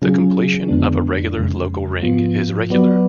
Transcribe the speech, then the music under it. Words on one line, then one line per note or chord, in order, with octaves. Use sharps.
The completion of a regular local ring is regular.
C#3 F#3 C#4 F4 G#4
F2 D3 G#3 B3 D4
F2 C#3 G#3
G#2 F3 B3 F4
F#3 B3 F#4 B4 D5